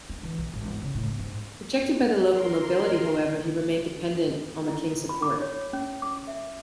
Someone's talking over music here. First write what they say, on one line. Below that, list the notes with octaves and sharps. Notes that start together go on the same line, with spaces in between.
Rejected by the local nobility, however, he remained dependent on the king's support.
C4
E3
B1
G#1
E2
C#3
A2
B3
G#2
A#4 C6
E4
B5
D6
C#5
C#4
D6
E5